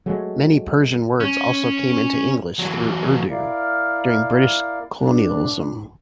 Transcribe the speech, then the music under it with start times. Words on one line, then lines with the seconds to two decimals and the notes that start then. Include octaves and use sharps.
Many Persian words also came into English through Urdu during British colonialism.
0.06 F#3 G#3 A3
1.20 C#4
2.59 E3 F#3
3.30 E4 A#4 D5 F5
4.99 D4